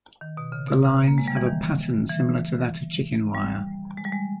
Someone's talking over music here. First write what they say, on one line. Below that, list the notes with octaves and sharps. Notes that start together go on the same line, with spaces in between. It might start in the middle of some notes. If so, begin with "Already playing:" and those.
The lines have a pattern similar to that of chicken wire.
D#3
B2
C#3
B2
C#3
A#3
G#3
G3
E3
D#3
E3
G3
G#3
G3
G#3